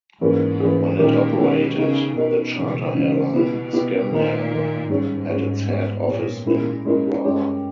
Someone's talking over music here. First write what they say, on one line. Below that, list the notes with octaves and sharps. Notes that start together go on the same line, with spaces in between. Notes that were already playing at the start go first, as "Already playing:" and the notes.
When it operated, the charter airline Scanair had its head office in Bromma.
G#2 E3 A#3 C#4 G#4
E3 A#3 C#4 G#4
A#2 D#3 G#3 C#4 G4 A#4
B2 D#3 G#3 C#4 G4 A#4
C#3 B3 D#4 G4 A#4 D#5
B2 B3 D#4 G4 A#4 D#5
C#3 E3 G#3 C#4
C#3 E3 G#3 C#4
B2 B3 E4 G4
B3 E4 G4
A#2 D#3 A#3 D#4
D#3 A#3 D#4
G#2 G3 C#4 G#4 C#5
G3 C#4 G#4 C#5
B3 G4 C#5
A#2 B3 G4 C#5
A#2 G#3 C#4 E4 A#4
A#2 G#3 C#4 E4 A#4
G2 G#3 C#4 G4 C#5